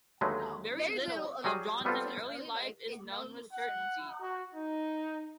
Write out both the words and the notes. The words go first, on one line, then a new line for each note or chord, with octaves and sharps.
Very little of Johnson's early life is known with certainty.
D#2 D3 F#3 G#3 A3 B4
F#3 G3 F#4 G#4
G3 B3 C4 F4 A4
F#5
F#4
D#4